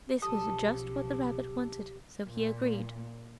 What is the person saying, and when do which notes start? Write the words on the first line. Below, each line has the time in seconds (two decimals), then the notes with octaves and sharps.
This was just what the rabbit wanted, so he agreed.
0.22 B1 C#3 F3 G4 A4 D#6
2.26 A#2